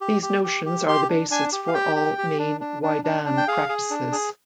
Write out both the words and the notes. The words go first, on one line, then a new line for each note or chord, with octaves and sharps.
These notions are the basis for all main "waidan" practices.
G4
G4
G4
G4
G4 C6
D4
D4 G#5
G4
F5
G4 G5
G4
G4
D4
D4
D4
D4
D4
G5
G#4 F5
G#4
D4
G#4